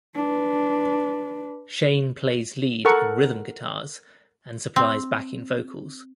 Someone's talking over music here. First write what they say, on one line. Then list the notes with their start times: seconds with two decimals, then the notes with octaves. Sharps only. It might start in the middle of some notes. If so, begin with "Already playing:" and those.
Shane plays lead and rhythm guitars, and supplies backing vocals.
0.15 D4 B4
2.85 A4 A#4 F#5 C#6
4.76 C4